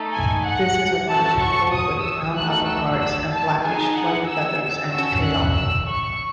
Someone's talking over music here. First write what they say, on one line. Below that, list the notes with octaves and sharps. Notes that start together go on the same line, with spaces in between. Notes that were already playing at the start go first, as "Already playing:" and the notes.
This is a large eagle with brown upperparts and blackish flight feathers and tail.
Already playing: A3 D#4 A4
G#5
F#5
C#4 F#4 A4 A5
C#6
D#6
E6
A3 D#4 F#4 A4 F#6
E6
E6
A5
D#4 G#4 G#5
F#5
E6
C#4 F#4 A4 E6
F#6
E6
C#6